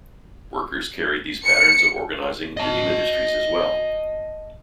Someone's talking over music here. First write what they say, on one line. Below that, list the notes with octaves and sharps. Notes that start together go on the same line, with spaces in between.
Workers carried these patterns of organizing into new industries as well.
C#7
D#5 A5